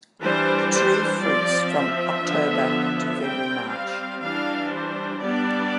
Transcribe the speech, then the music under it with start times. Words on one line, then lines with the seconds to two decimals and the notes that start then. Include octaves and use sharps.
The tree fruits from October to February–March.
0.23 E3 G3 D4 C5
0.73 C5
1.23 F3 C4 D5
1.73 E5
2.23 D3 F3 B3 D4
3.22 G3 C4 G5
3.72 F5
4.22 E3 G3 D4 F5
4.73 C5
5.22 G3 B3 D4 D5